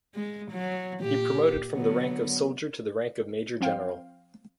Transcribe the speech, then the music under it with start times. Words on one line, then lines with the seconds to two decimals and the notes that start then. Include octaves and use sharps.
He promoted from the rank of soldier to the rank of major general.
0.15 G#3
0.52 F#3
1.02 A#2 G4
1.73 D3 F#3 B3
3.61 F3 C4 F5 G5